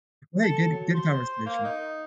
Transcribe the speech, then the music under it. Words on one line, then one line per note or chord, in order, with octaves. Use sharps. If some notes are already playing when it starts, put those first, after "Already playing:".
hey, good good conversation.
A4
F#3
C5
A#3
D#4